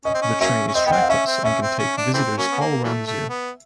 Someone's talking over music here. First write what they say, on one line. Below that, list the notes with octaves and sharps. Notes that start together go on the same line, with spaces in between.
The train is trackless and can take visitors all around the zoo.
C#4 D#5
C4
C#4
F#3 A#3 C#4 E5
C#4
C4 D#5
B3 G5
C4 F#5
F5
C#4 E5
C4
C#4 E5
C4
C#4
D4
E3 A3 C4
F#3 A#3 C#4
B3
A#3
E3 F#3 A3
A3
B3